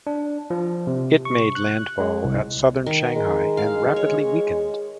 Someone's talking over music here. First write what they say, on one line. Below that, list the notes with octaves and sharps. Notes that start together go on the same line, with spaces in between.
It made landfall at southern Shanghai and rapidly weakened.
D4
F3
C3
C#6
F#6
G#3
C2
D#3
G#3
F5
C#5